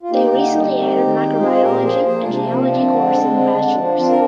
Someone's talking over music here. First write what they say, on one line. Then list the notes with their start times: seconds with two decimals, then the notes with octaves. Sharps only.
They recently added Microbiology and Geology course in Bachelors.
0.03 F4
0.11 A#3 D#4 G4
0.33 D3
0.53 G3
0.75 C4
0.97 D#3
1.18 G#3
1.39 C4 F4 G#4
1.54 C5
1.61 A#2 G4 A#4
1.82 F3 G#4 C5
2.04 A#3 G#4 C5
2.19 D4 F4
2.25 C3
2.36 C4
2.46 F3
2.52 C4
2.68 C4 D4
2.90 D3
3.12 G#3
3.33 C4
3.55 D3
3.75 F3
3.96 C4 D4 F4
4.10 A#4